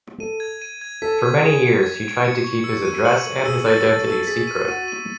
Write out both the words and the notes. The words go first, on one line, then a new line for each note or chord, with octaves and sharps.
For many years he tried to keep his address and his identity secret.
A4 D#7
G#6
D#7
G#6
A4 B6
G#6
G#4 G#6
G#6
G#6
G#6
C#7
C#6
E6
D#7
F#7
F#7
G#4 E6
A4 A6
A4 A6
A4 E6
G#4 B6
D#7
F#4 D#7
D#7